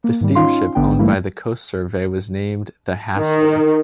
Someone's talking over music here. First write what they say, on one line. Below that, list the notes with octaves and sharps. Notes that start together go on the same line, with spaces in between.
The steamship owned by the Coast Survey was named the "Hassler".
A#3
G#2 D#3 G3
C#4 D#4 F4 F5 C6
A1 D3 B3 D4 G5
G#2 E3 G3 A3 A#3 E4
D#3